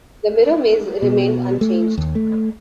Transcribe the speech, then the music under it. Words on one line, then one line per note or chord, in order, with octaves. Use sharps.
The Mirror Maze remained unchanged.
B2
A3
D#2
A3